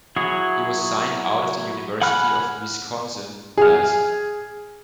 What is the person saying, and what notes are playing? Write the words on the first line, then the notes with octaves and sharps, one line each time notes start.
He was signed out of the University of Wisconsin-Madison.
F#3 E4 F#4 G#4
F#5 G#5 B5 F6 F#6
G#4 F6